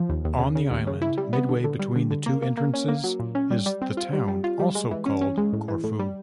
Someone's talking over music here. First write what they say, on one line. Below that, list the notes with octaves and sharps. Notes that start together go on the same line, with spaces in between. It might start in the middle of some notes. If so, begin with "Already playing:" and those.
On the island, midway between the two entrances, is the town also called Corfu.
Already playing: F3
D#2
D#2
C#3
C#3
D#2
C#3
E4
G3
B3
D3
D3
G3
D3
D3
A#3
A#3
A#3
C#4
A#3
F#3
A#2
C#4
G3
G3
C4
F4
G3
G3
F4
G3
G#3
E3
C#4
C#4
G#3
A2
E3
A2
G3